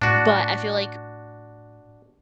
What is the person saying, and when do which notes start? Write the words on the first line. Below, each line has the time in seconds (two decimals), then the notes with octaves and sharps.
But I feel like
0.02 A2 D4 F#4